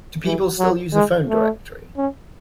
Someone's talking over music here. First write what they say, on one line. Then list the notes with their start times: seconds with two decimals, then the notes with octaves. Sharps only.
Do people still use a phone directory?
0.25 E3
0.59 F#3
0.93 G#3
1.28 A3
1.97 C#4